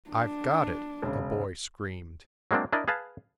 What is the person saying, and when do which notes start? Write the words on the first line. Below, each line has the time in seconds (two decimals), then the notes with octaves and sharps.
"I've got it!" a boy screamed.
0.11 D4
1.02 E1 C#3
2.51 F#3 G#3 A#3 C4 D4
2.73 D4 E4 A#4 D5 D#5
2.88 G#4 B4 F5 A5